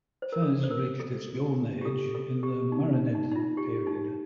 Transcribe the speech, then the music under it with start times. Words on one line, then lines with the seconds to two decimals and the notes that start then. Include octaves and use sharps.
Fez reached its golden age in the Marinid period.
0.22 C5
0.32 A#4
0.42 A4
0.63 C5
0.71 A#4
1.00 A4
1.81 G4
1.85 A4
2.15 A4
2.43 G4
2.72 D#4
2.94 D#4
3.15 D#4
3.32 D#4
3.36 F4
3.57 G4
3.87 D#4